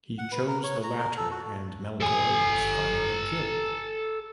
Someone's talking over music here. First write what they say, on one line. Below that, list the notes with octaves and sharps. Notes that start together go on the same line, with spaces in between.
He chose the latter, and Melkor was finally killed.
F#5
B4
A#4
C#5
A#5
A#4
A4
F#4
A4 G#5